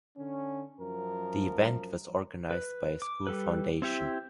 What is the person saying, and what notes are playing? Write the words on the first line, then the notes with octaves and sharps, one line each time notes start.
The event was organized by a school foundation.
D3 C#4
F#2 F3 A#4
B4
D6
G3 A4 B4
C4 E4 G4